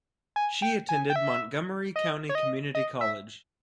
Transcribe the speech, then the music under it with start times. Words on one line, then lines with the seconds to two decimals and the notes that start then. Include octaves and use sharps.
She attended Montgomery County Community College.
0.36 G#5
0.62 G5
0.89 G#5
1.10 G5
1.16 E5
1.96 D#5
2.29 C#5
2.35 D#5
2.75 D#5
3.01 E5